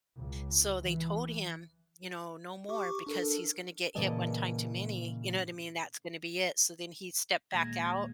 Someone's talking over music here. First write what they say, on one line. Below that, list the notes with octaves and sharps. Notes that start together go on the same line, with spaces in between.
so they told him, you know, no more because he's gonna get hit one time too many, you know what I mean, that's gonna be it. So then he stepped back out
C#2
E3
G4 C#6 D6
D4 A4 A#4
A#2 C#3 E3 D5 D#5 A5
D#2 A#2 G#3 G#6 A#6